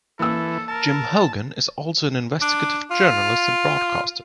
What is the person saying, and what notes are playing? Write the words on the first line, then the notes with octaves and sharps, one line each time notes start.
Jim Hougan is also an investigative journalist and broadcaster.
E3 A#3 A4 E6
A#4 A5
D4
F4